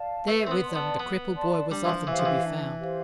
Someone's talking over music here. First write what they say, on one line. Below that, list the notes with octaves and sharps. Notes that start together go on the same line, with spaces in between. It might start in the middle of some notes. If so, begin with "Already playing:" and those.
There with them the crippled boy was often to be found.
Already playing: D5 F5 A5
A3 B4
C4
B3
D5 A5 C6
B3
B3 B4
D5 A5 C6
G3 D4
E3
F3
E3 G4 C5 F5
F3
E3
D4
G4 C5 F5